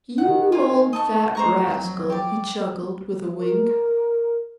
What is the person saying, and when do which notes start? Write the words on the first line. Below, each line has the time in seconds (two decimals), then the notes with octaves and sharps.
"You old fat rascal!" he chuckled, with a wink.
0.18 D#3 F#5
0.52 F4 G#5
0.93 D#5 A5 C#6
1.35 G#3 A3 C5 A#5 C#6
1.67 F2 F#3
2.10 G4 D5
3.38 A#4